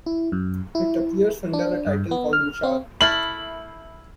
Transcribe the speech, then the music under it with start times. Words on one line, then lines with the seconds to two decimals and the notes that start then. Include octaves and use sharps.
It appears under a title called vichar.
0.06 E4
0.32 F#2
0.75 E4
1.53 D4
1.87 G2
2.11 B3
2.33 F6
2.63 C4
3.01 A3 E4 B5 F6 A6 F#7